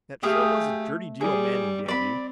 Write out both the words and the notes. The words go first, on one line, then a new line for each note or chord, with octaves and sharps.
"That sure was a dirty deal Manning gave you."
A3 G4 G#4 F5
G3 G#4
C4 D5 B5